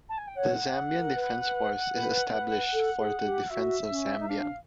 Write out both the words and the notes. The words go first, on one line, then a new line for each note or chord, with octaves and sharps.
The Zambian Defence Force is established for the defence of Zambia.
A5
G#5
G5
C#5 F#5
A#4
B4
B4
B4
A4
G#4
G4
F#4 E5
C#4
D#4
D4 F5